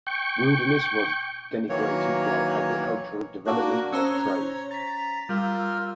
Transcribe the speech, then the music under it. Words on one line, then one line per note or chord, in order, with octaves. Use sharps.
Wilderness was denigrated while agricultural development was praised.
G5 C#6
D#3 E3 F#3 A#3 C#5
A#3 D4 F#4 F#6
C#4 C5 A#5 D#6 E6
C#5
A#5 A6 B6
G3 F4 A#4 E6